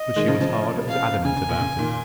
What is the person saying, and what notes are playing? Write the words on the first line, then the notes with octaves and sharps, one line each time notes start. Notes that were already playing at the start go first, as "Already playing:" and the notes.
But she was hard as adamant about it.
Already playing: D#5
D#3 G#3
C#3 F3
C#3 F3
F5
C#3 G#5
C#3
A#2
C#3
A#2 D#3